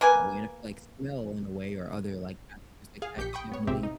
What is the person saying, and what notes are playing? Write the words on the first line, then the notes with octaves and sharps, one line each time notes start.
that way, and I feel like smell in a way or other, like, attributes like that can definitely
A#3 B4 G#5
G#4 F5
A#1 G4 G6 B6 C#7
G5 B5 C#6 D#6
B3 C#5
A#1 G#2 C3 C4 G4 E5
D#4